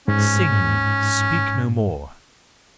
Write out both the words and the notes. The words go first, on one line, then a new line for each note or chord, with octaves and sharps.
Sing! speak no more!
G#2 C#4